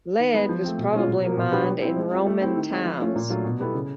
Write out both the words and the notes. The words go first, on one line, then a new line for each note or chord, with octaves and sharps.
Lead was probably mined in Roman times.
D#3
G#3 B3
F3
A3 C4
B2
G#3 C#4 F4
B2
F#3 A#3
B2
G3 B3 D4 F#4
G3
C4 E4
G#3
C4 F4
A3
C4 E4 G4
D#3
G#3 C4
F3
A3 C#4 F4
A#2
F#3 A3 D4 F4
B2
G3 B3 E4 A4
C#3